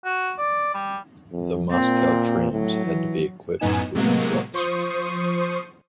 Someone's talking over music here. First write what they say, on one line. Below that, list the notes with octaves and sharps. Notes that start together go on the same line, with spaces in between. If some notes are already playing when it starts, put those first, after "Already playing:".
The Moscow trams had to be equipped with trucks.
F#4
D5
G3
F2
A#2 C4
A2 F#3
E3
F#2 A2 B3 D#4 G#5 E7
A2 C3 F#3 G#3 A#3 B3
F3 C5 C#6 D#6 C7 D#7